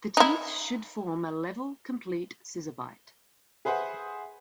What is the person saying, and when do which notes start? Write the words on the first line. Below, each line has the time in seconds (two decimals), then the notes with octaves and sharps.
The teeth should form a level, complete scissor bite.
0.17 D#4 E4
3.65 G#4 B4 C5 E5 F#5